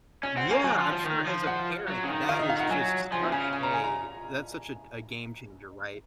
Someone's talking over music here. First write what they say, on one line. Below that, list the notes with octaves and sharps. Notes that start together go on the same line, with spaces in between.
Yeah, I'm sure as a parent, that is just such a that's such a a game changer, right?
C#4 G#5
C4 F#5
A#3 G#5
F#3 G#5
F3
F3
D#3
F3
F#5
F#3
C#3
D#3
D#3 F5
D#5
D#3
F5
D#3 F#5
F#3 G#5
F3 G#5
C3
C#3 G#5
G#5
A#5
G#5
A#5